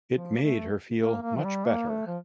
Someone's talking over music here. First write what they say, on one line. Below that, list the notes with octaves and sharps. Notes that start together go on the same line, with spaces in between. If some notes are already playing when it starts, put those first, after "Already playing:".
It made her feel much better.
F3
A#3
A3
A#3
A#3
F3
G3
A#3
A3
F3